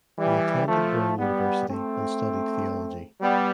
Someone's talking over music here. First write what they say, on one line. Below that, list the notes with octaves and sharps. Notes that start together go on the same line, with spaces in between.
He attended Brown University and studied theology.
E3 G3
F3 A3
G3 B3
A3 C4
G3 B3